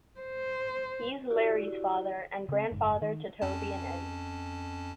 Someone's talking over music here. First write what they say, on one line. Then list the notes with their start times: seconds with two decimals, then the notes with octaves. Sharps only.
He's Larry's father, and grandfather to Toby and Eddie.
0.20 C5
1.30 E4 F#4 G4 D5
2.49 C#3 C4
2.71 F#1 G#2
3.02 D#3
3.42 F2 C#4 A5